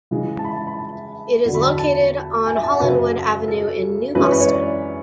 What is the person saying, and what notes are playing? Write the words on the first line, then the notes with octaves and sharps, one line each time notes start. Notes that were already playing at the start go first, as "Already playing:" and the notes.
It is located on Hollinwood Avenue, in New Moston.
C#3 E3 G#3
A5
B5
A5
B5
A5
E2 D3 F#3
B5
A5
B5
A5
G#5
E5
A5
F#5
F#2 C#3 F#3 B4
A4
F#2 E3 G#3 C#4 E4 B4
C#5
B4
C#5
D5